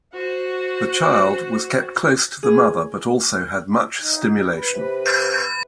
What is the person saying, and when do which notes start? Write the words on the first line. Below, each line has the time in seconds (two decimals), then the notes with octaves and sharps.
The child was kept close to the mother but also had much stimulation.
0.13 F#4 C5 F#5
2.43 G#4
4.00 D#4
4.54 B4
4.74 C3